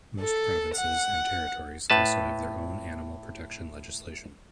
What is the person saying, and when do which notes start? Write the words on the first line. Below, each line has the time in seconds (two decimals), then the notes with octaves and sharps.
Most provinces and Territories also have their own animal protection legislation.
0.20 A4
0.75 F#5
1.90 A2 B4 A5